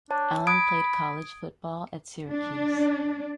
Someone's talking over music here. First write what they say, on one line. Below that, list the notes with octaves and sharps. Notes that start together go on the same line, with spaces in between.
Allen played college football at Syracuse.
D4 C#5 A5
B5 D#6 G#6 D7
D4